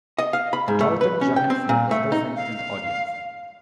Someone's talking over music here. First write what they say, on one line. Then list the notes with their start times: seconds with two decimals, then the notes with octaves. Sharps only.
Torben Johansen was present in the audience.
0.19 D#5
0.33 F5
0.53 B5
0.68 G#2
0.81 A3
1.01 B4
1.21 C#4
1.36 G5
1.50 C4
1.69 A#2
1.91 A3
2.12 D#4
2.36 F5